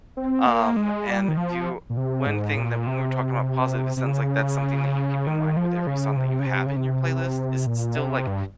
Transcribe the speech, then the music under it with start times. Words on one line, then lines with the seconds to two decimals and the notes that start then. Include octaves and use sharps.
um, and you one thing that when we were talking about positive, it sounds like that's something that you keep in mind with every song that you have in your playlist, is it's still, like,
0.17 C4
0.47 A#3
0.77 G#3
1.07 G3
1.28 D#3
1.37 F3
1.90 A#2
1.97 C3
2.27 G#2
2.57 A#2
2.87 C3
3.97 C3
4.07 C#3
5.27 D#3
5.57 F3
5.87 C#3
6.17 C3
6.40 C#3
6.46 C3
6.66 C#3
6.76 C3
7.66 A#2
7.97 C3
8.27 G2